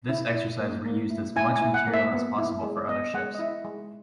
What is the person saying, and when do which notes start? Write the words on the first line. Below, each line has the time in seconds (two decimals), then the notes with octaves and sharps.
This exercise reused as much material as possible for other ships.
0.09 E4
0.34 E4
0.60 A#3
0.86 A#3
1.10 E4
1.36 E4 G#5
1.56 G#5
1.62 E4
1.74 F#5
1.88 A#3
1.94 E5
2.13 B3
2.38 E4
2.63 G#3
2.89 B3 D#5
3.14 G#3 F#5
3.35 D#5
3.39 E4 E5
3.65 G#3